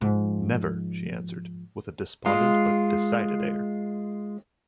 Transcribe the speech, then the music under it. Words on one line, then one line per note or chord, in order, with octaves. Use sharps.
"Never," she answered, with a despondent but decided air.
G#2 F3
G#3 F4